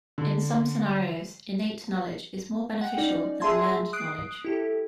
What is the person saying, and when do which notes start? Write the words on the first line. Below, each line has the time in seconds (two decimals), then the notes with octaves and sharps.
In some scenarios, innate knowledge is more beneficial than learned knowledge.
0.18 D3
2.81 F#5 G5
2.97 C#4 D#4 D5
3.40 G#4 E5 A5 C6 E6 G#6
3.93 D#6 F#6 C7 D7
4.45 E4 G4 A4